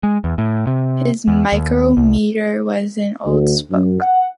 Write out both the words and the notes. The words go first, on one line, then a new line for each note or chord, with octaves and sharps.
His micrometer was an old spoke.
G#3
E2
A2
C3
E2
D#2
C2
D2
F#2
F#5